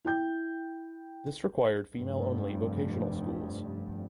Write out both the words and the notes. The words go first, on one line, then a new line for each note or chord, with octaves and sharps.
This required female only vocational schools.
E4 G5 G6
F1 G2